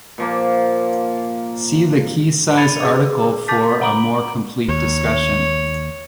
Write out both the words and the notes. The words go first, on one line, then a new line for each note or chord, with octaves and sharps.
See the key size article for a more complete discussion.
A#2 F3 A#3
B5 G#6 A6 C#7 D#7 F7
G#4 B4 D6
A5 D6 G6 A6 B6
F#5 A#5 B5 D6 D7 F#7
D#2 C#5